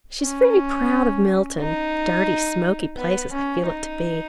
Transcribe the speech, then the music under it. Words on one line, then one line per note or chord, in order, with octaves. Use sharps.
She is very proud of Milton; dirty, smoky place, as I feel it to be.
C#4
D#4
B3
C#4
D#4